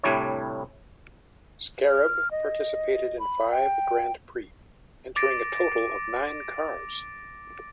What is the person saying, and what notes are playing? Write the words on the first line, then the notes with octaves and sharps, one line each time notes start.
Scarab participated in five Grands Prix, entering a total of nine cars.
C2 A2 G3 D4 E4 C#5
F6
D#5
B5
G5
D6 A6 A#6 D7